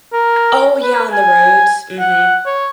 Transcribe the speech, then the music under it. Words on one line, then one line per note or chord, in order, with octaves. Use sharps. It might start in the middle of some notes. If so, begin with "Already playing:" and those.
Oh, yeah, on the roads? Mhm.
A#4
B4
G#5
F#5
C#5